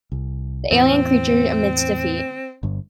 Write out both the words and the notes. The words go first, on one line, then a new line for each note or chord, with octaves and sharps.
The alien creature admits defeat.
C2
E2 A2 C4
G1 G2